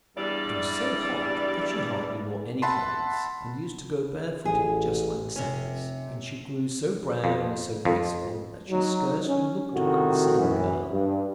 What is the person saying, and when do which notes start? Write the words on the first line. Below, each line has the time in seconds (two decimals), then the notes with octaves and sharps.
It was so hot that she hardly wore any clothes, and used to go barefooted just like the sailors; and she grew so brown and so graceful that she scarcely looked like the same girl.
0.16 E2 G2 G3 E4 D5
2.62 E5 F#5 A5 B5 C6
4.45 A1 G#4
5.36 F1 C3 C#4
7.24 F2
7.85 F2
8.69 F#3 D#4
9.27 C#4
9.73 A2 C3 D#3 F#4
10.38 F#2 E3
10.91 G2